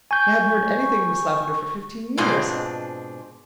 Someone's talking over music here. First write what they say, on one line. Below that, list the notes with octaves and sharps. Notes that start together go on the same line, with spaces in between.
He hadn't heard anything of Miss Lavendar for fifteen years.
G#5 C#6 G6
G#2 B2 G#3 C4 D4 F4